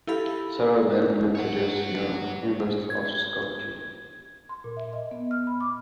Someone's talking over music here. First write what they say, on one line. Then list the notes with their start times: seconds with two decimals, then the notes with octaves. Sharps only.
Cyril and Methodius University of Skopje.
0.07 E4 G4 A4 F5 B5
1.35 C#5 F#5
2.90 G#6
4.49 C6
4.64 A#2
4.77 E5
4.93 D#5
5.11 B3
5.31 F6
5.47 B5
5.61 D6